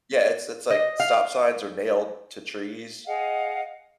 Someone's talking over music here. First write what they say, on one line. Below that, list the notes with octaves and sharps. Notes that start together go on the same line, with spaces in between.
Yeah, it's it's like stop signs are nailed to trees,
D#5
F5
G#4 D#5 F5 F#5